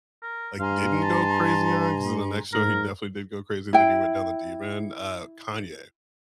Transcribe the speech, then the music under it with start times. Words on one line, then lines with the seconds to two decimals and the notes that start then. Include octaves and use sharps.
like, didn't go crazy on, 'cause in the next show he definitely did go crazy, then he went down the deep end, uh, Kanye.
0.22 A#4
0.59 G2 F5 G#5 A#5 C6
1.03 A5
2.53 G#2 A#4
3.73 E4 G5